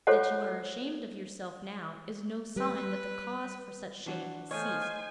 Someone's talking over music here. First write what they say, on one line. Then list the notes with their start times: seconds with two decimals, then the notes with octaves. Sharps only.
That you are ashamed of yourself now is no sign that the cause for such shame has ceased.
0.07 F4 A4 C5 C#5 D#5 F#5
2.56 G3 B4
4.06 E3 D4 F#4
4.51 F3 A3 C5 C#5 D#5 G#5